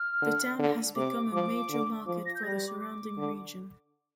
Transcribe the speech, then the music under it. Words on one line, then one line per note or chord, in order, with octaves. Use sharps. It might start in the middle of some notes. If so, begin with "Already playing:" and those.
The town has become a major market for the surrounding region.
Already playing: F6
D3
D3
C3 D6
F3 D6
D3
F3 D6
A#6
G6
G3 A#6
D6
D6
D3